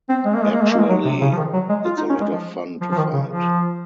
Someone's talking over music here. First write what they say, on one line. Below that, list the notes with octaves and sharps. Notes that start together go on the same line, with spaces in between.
Actually, it's a lot of fun to fight.
C4
G#3
A#3
G#3
A#3
G#3
A#3
G#3
F#3
C3
C#3
F3
D#3
F#3
G#3
F4
D#4
C#4
G#3
F3
F3
F3
D#3
C#3
F3